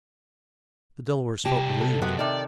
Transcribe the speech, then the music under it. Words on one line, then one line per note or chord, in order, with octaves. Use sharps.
The Delawares felt relieved.
C2 G4 A5
A4
F#2 C3 G#3 B3 F#4
C3 D#3 A4 D5